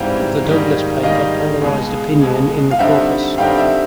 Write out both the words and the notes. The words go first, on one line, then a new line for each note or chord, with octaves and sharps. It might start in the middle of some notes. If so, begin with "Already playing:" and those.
The Douglas paper polarised opinion in the caucus.
Already playing: G#2 E3 G3 C4 F5 G5
G#2 D#3 G3 A#3 D#4
G#2 D#3 G3 A#3 D#4 D#5 F5
C#2 B2 G#3
C#2 B2 G#3
F5
G2 D3 G3 C4 D#4 E5 F#5
G2 D3 G3 C4 D#4 F5 G5
E5